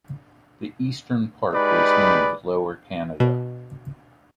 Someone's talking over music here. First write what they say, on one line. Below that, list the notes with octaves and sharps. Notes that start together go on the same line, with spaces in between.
The eastern part was named Lower Canada.
G#3 D#4 G4 B4 D5 B5
B2